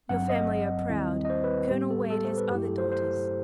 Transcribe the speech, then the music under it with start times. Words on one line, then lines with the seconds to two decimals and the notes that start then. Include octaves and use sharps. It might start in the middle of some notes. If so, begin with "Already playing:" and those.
Your family are proud. Colonel Wade has other daughters.
0.09 G1 G2 F#3 C4 F#5
0.30 D#5
0.90 D#2 D#3 G3 C4 E4
1.25 D#5
1.30 C5
1.44 B4
1.70 A2 G3 B3 G4
1.91 A4
2.10 A4
2.25 C5
2.38 B4
2.51 G2 F#3 A3 E4 G4
2.65 A4
2.78 C5
2.92 C5